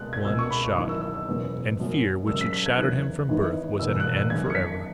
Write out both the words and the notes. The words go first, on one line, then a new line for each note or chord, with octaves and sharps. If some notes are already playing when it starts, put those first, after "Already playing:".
One shot!--and fear, which had shadowed him from birth, was at an end forever.
Already playing: C#2 B2 G#3 F#6
G#6
C#2 B2 G#3 E6
C#6
B5
C#6
G#1 F#2 E3 C#6
E6
E6
E6
F#1 E2 B2 G#3 B3
F#1 F#2 F#3
F#1 F#2 C#3 G#3 E6
B6
B6
G#6
F#1 E2 E3 F#6
G#1 G#2 E3 B3
E1 E2 B2 B3 E6
F#6
E6
F#6
G#1 F#2 C#3 G#6
C#7
B6